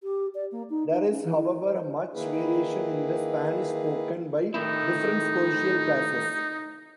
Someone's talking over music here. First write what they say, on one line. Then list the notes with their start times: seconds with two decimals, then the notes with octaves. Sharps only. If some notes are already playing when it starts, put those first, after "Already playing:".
There is, however, much variation in the Spanish spoken by different social classes.
0.03 G4
0.35 D5
0.52 A#3
0.70 D#4
0.90 D#4
1.10 C#4
1.24 E3
1.36 E4
1.63 C5
2.14 D#3 A#3 E4 G#4 B4
4.54 A2 D#3 D#4 E4